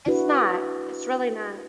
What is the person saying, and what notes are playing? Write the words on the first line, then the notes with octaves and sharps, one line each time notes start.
It's not. It's really not.
D4 E4 F#4 B4